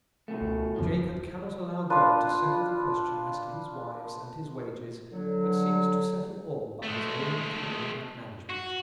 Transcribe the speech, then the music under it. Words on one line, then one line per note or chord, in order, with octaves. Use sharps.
Jacob cannot allow God to settle the question as to his wives and his wages, but seeks to settle all by his own cunning and management.
B2 A3
C#2
D#1 F#2 C#3 F3
D4 F4 B4
D3 F#3
G#3 A3
F#4